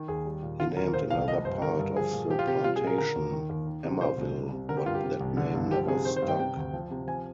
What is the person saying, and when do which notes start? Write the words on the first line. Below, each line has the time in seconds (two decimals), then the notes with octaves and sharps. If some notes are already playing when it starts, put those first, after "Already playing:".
He named another part of the plantation Emmaville, but that name never stuck.
Already playing: D#3
0.08 D#2 G#4
0.25 G3
0.43 A#2
0.60 D3 F4
0.77 D#2 A#4
0.93 A#2 C5
1.10 C2 F5
1.27 F3 D#5
1.45 G2 C5
1.62 D3 A#4
1.79 G2
1.96 F3 G#4
2.13 A#2
2.30 F3 G4
2.39 F4
2.47 C3 G4
2.64 G3 F4
2.76 G#4
2.81 A#2
2.87 A#4
2.98 D3 A#4
3.15 D#2
3.32 D#3
3.49 D#2
3.67 D#3
3.84 C3
4.01 A#2 C5
4.18 C2
4.35 G3
4.52 C3
4.69 D3 A#4
4.77 G4
4.86 G2 F4
4.95 G4
5.03 C3
5.20 C2
5.37 D3
5.54 G2
5.71 F3 G4
5.88 C3 G#4
6.05 D#3 C5
6.16 C5
6.23 G2
6.28 G5
6.39 C3 G5
6.57 D2
6.73 F3
6.91 C3
7.07 F3 G#5